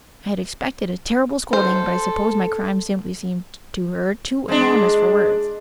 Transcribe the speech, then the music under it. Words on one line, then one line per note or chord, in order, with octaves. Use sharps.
I had expected a terrible scolding, but I suppose my crimes simply seemed to her too enormous for words.
A4 C5
G#3 D4